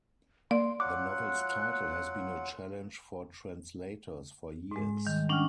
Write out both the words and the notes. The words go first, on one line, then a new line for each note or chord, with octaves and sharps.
The novel's title has been a challenge for translators for years.
A#3 D5 C6
F#3 F4 F#5 D6 F#6
G#2 G#3
D#3 G3
C#4 D4 F#5 G5 F6